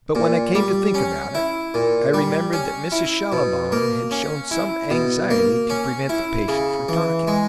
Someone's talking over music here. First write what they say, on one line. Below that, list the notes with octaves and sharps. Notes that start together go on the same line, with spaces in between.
But when I came to think about it I remembered that Mrs. Schallibaum had shown some anxiety to prevent the patient from talking.
A#2
G3
C#4
E4
A#2
G3
C#4
E4
B2
A#3
C#4
E4
B2
A#3
C#4
E4
C#3
E3
G#3